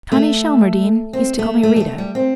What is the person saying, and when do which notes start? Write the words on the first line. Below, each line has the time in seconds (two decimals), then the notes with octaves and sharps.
Connie Shelmardine used to call me Rita.
0.12 A3
1.13 C4
1.39 A3
1.63 A3
1.76 G3
1.80 A3
1.98 G3
2.15 C4